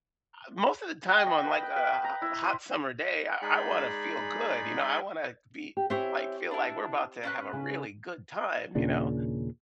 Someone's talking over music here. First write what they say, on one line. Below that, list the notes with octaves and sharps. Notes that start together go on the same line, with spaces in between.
ah, most of the time on, like, uh, uh, a hot summer day, I wanna feel good, you know, I wanna be like feel like we're about to have a really good time, you know,
G5
D#5
B4
G5
B4
A#5
E4
C5
G#3 D#4 G#4 D5 B5
G4
C4 E4 G4 C5 C#5 G#5
D4 E4
C#4 B4 F#6
C#3
D#2 A#2 C#3 D4